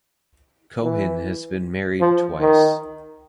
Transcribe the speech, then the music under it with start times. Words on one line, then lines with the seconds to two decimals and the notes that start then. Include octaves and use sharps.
Cohen has been married twice.
0.83 E3
2.01 F3
2.40 D#3